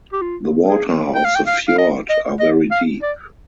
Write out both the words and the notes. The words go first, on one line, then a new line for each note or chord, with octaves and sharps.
The waters of the fjord are very deep.
G4
F4
G#4
G5
F5
G5
F5
F5
D#5
D#5
D#5
F5
D5